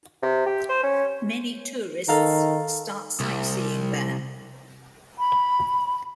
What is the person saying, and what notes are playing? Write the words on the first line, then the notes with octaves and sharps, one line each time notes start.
Many tourists start sightseeing there.
C3
G4
C5
C#4
D#3 A4 F5 A#5
C2
B5